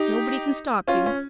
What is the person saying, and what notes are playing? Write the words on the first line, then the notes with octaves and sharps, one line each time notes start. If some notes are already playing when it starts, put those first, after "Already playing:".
Nobody can stop you.
Already playing: D#4 G4
C#4 F4
C#4